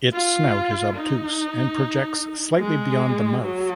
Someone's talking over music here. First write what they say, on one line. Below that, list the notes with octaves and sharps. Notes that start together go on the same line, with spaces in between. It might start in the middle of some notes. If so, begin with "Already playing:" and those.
Its snout is obtuse and projects slightly beyond the mouth.
F4
D#4
G#3
F#3